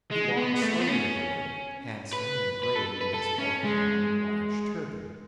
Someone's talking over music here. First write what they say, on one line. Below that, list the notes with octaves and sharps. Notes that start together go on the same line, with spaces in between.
He walked slowly aboard, handsome and grave in his white gown and large turban.
G#3
B3
B3
A3
B3
C#4
B4
B4
A4
B4
A4
C#4
G#3